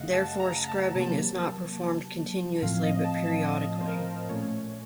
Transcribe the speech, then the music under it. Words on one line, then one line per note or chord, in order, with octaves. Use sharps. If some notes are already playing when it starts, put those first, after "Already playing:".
Therefore, scrubbing is not performed continuously but periodically.
Already playing: F#2 C#3 A3 D#5 F5 F#5
A5
A#5
A5
C3 F#3 A#3 A5
A2 F3 C4 F5
D#5
A5
A5
D#5
C5
A#4
A#2 A3 C#4 C#5